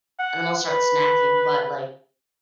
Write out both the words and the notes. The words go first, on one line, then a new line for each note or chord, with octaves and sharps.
and then I'll start snacking, but, like,
F#5
B4